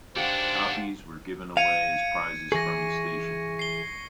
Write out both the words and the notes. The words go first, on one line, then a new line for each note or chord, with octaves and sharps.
Copies were given away as prizes from the station.
D#3 D4 F#4 G4 C5 F5 F#5
F5 G#6 C#7 D#7
E3 G#4 C#6 A#6
C7 G7